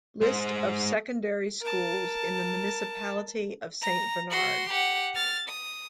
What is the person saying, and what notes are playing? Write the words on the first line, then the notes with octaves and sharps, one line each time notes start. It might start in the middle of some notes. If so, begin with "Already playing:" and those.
List of Secondary Schools in the Municipality of Saint Bernard.
G#3 C5
A#4 A5
A#5
F#4 C6
G4 F#5
F6 A6
D#6